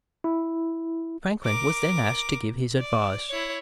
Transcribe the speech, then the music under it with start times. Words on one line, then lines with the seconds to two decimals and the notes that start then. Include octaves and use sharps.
Franklin was then asked to give his advice.
0.24 E4
1.43 A#4 D6
2.78 D5
3.30 E4 C#5